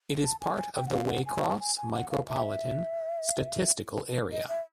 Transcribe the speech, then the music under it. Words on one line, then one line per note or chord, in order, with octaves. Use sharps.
It is part of the Waycross Micropolitan Statistical Area.
A5
G#5
G#5
G5
F#5
F5
F#5
G#5
A5
G#5
G#5
F#5
F5
E5
D#5
E5